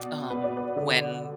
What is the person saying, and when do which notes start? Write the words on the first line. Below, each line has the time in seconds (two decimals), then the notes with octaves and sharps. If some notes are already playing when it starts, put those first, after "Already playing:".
um, when
Already playing: B2 D5
0.30 B2 B4
0.44 D5
0.57 B4
0.76 D3 D5